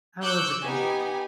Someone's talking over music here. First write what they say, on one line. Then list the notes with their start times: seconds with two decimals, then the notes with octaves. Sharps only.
that was it crazy
0.21 C#6 D6 E6 F#6 G6
0.63 B3 D#4 G4 G#5